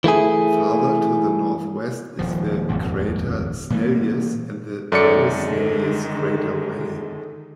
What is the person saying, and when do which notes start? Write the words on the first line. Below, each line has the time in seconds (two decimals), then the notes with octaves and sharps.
Farther to the northwest is the crater Snellius and the Vallis Snellius crater valley.
0.04 E3 A3 E4 G#4
2.19 D#1 F3
2.69 D#1 G#1 F2
3.70 A#2 E3 G3
4.92 F#2 D3 D#3 G#3 A4 D5 C#7